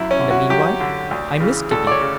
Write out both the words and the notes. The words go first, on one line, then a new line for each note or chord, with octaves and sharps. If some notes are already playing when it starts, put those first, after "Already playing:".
In the meanwhile, I miss Kitty.
Already playing: F#2 E4
C#4
D3
F#4
F#2 G4
D3
D2
C#3 E3
D2 A4
D5
C#5
C#3